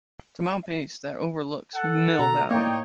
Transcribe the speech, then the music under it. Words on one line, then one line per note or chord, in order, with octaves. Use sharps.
Tamalpais that overlooks Mill Valley.
A4 F#5
B2 A#5
A2 A#3 D#4 C#5 D5 G5